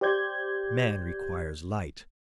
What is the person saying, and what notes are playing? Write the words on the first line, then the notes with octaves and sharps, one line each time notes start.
Man requires light.
G4 C5 D5 G6 G#6